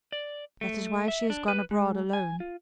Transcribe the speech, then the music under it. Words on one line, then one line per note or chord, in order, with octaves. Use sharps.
That is why she has gone abroad alone.
D5
A3
E5
D4
B4
G#3
G#5
F4